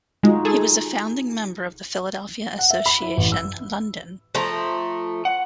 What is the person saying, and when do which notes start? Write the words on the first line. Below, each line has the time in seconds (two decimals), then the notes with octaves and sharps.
He was a founding member of the Philadelphia Association, London.
0.23 G#3 D#4 F4 F#4
0.45 G#4 A4
2.59 F#5
2.70 E5
2.86 B5
3.02 E4
3.18 A1
3.32 E6
4.35 F3 A3 A#5
5.25 F#5